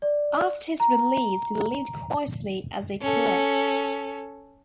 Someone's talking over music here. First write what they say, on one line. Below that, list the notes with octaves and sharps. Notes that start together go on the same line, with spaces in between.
After his release he lived quietly as a clerk.
D5
A#5
C#4 A4